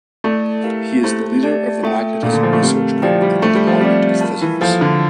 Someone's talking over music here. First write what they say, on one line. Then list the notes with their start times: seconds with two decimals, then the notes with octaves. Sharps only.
He is the leader of the magnetism research group at the Department of Physics.
0.24 A3 E4 A4 D5 A5
0.64 E4 G4 A#4 F5
1.03 A3 A#3 E4 G4 C5
1.43 G4 D5 A5
1.83 A3 F4 A4 E5 G5
2.22 A#2 D4 F4 A4
2.33 D3
2.43 F3
2.53 A3
2.62 C4 G4 A#4 F5
3.02 F3 E4 G4 D5 G5
3.22 G3
3.42 A3 D4 F4 C5 E5 A5
3.55 G3
3.67 F3
3.80 G3 C4 G4 D5
4.21 F4 A#4 F5 A5
4.41 E3
4.60 F3 A#3 E4 A4 C5
4.81 D3